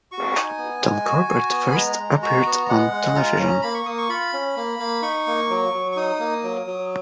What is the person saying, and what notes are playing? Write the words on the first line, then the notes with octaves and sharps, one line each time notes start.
"Tom Corbett" first appeared on television.
F#4 C#6
D#4 G#5
B3
G#3
F#4
F#4
B3
B5
G#3 A#5
G#3
F#4 A#5
B3
G#3 F#5
G#3
F4 A#5
C#4
A#3 B5
C#6
A#3 D#6
C#6
F4 B5
C#4
A#3
A#3
D#4 C#6
A#3
F#3
F#3
C#6
D#4 D#6
A#3
F#3
F#3